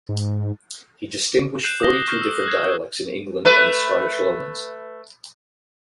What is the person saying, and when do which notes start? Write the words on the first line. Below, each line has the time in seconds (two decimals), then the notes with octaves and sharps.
He distinguished forty-two different dialects in England and the Scottish Lowlands.
0.09 G#2
1.62 F#6 G6 C7 E7 F#7
1.80 D6 D#6 A#6 G7
2.08 C#6 F6 G6 A#6 C7 G7
2.21 E6
2.46 F#6 G#6 C7
3.45 A3 B4